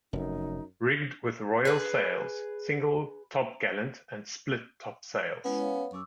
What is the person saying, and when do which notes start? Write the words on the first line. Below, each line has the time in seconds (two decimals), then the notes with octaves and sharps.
Rigged with royal sails, single topgallant and split top-sails.
0.13 F1 F#2 D#4
1.65 G#4 B4
5.45 G#3 B3 C#4 E4
5.60 C#5 F5
5.93 F#2 C#6 D6 E6